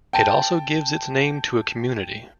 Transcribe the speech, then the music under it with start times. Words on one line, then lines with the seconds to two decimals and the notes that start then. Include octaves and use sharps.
It also gives its name to a community.
0.13 G5 A5